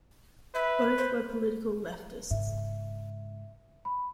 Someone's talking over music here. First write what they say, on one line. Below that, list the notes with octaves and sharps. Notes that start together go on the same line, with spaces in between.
Both were political leftists.
B4 E5
C5
G#2 C#3 E5
B5